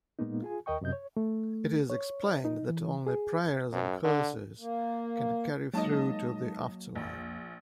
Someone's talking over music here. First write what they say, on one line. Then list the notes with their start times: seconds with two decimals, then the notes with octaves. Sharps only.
It is explained that only prayers and curses can carry through to the afterlife.
0.19 A#2 G#3 A#3 B3 D#4
0.42 F4 G#4 G#5
0.66 D#2 A#4 D#5 G5 C#6
0.81 F#2 C3 D#5 G6
0.93 C#5
1.17 A3
1.90 C#5
2.45 D#4
2.69 E3
3.07 G#4
3.72 F#2
4.04 D3
4.60 A#3
5.74 F#3 G#3 A#3 D#4 D#5 A5
6.95 A#1 F2